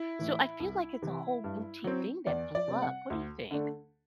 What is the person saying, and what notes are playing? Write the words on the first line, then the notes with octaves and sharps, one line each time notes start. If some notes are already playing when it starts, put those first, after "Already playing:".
So, I feel like it's a whole boutique thing that blew up. What do you think?
Already playing: E4
A2 E3
C2
C3 E3
G2
F#3 C4
E2 D5
D5
C3 G3 C4
F#5
D2
D3 A3 D4